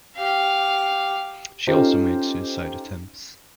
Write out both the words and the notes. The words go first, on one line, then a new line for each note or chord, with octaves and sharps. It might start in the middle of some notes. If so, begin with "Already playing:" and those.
She had also made suicide attempts.
G4 F5
C#4 D#4 F4 G4 A4 C5